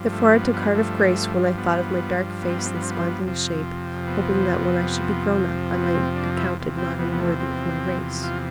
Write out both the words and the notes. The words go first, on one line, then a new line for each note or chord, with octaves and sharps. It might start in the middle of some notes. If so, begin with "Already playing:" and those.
Therefore I took heart of grace when I thought of my dark face and spindling shape, hoping that when I should be grown up I might be counted not unworthy of my race.
Already playing: G2 F3
A3
B3
B3
A3
B3
B3
C4
B3
C4
B3
C4
B3
C4
B3
F2 C3 F3
B3
B3
C4
D4
E4
E2 C3 F3
C4
B3
B3
A3
C4
F4